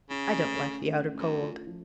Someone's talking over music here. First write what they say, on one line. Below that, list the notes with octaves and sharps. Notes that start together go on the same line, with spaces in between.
I don't like the outer Cold.'
C#3 C#4
A3
C#4
A3
F#2 A3
F4
F3